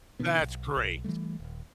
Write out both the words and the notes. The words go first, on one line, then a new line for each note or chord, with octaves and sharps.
That's great.
B2 D3 D#3 B3
B1
B1
E3 F3 G3 A3
D#1